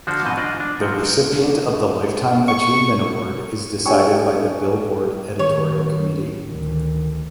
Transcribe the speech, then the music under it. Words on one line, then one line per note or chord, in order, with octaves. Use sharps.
The recipient of the Lifetime Achievement Award is decided by the "Billboard" editorial committee.
D3 F3 D4 F#4 C5
G#2 B2 C4 D#5
D4 F4 C5 D5 D#5
D4
A#2 F3 F#4
C#6
D4 G4 C#5 G5 G#5 C#6
A2 D#3 C#5
D2 D#3